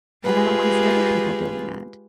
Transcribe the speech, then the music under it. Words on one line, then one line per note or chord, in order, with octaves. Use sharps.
and I don't wanna see other people doing that.
G#3 F4 G4 G#4 B4